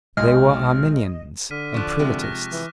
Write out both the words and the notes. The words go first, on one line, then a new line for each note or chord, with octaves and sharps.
They were Arminians and Prelatists.
B1 G#3 D#5 F6
D3 F6 B6 D#7
F3 D4 C#6 D6 F#6
C3 F3 G#3
F6 F#6 A#6
E3